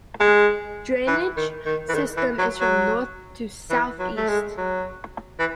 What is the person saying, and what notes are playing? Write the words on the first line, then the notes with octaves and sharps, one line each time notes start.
Drainage system is from north to south-east.
G#3
E3
D#3
D#3
E3
D#3
E3
F#3
F#3
E3
F#3
A3
G#3
F#3
E3